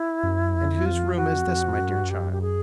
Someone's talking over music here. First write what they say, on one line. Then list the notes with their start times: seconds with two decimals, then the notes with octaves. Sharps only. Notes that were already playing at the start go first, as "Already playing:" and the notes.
"And whose room is this, my dear child?"
Already playing: E4
0.23 F#2
0.54 F2
0.85 F4
1.16 F#4
1.47 F2
1.79 F#2
1.91 G2
2.04 F#2
2.10 G4
2.32 G4
2.41 G#4